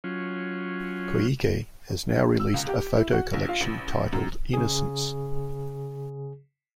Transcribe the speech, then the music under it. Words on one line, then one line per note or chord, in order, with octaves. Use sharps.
Koike has now released a photo collection titled Innocence.
F#3 C#4 F4
E6
C#2
G4
E4
F#4
A#1
F4
A1
F#2
C#3 G#4